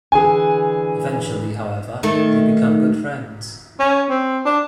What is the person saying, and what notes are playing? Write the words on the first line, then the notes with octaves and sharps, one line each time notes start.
Eventually, however, they become good friends.
D3 E3 G#4 G#5
D#3 A3 D#4
C#4
C4
D4